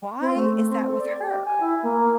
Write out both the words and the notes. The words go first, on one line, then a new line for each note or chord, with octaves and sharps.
"Why is that with her?"
C4
A3
C4
A4
D5
G4
G#5
E4
A#3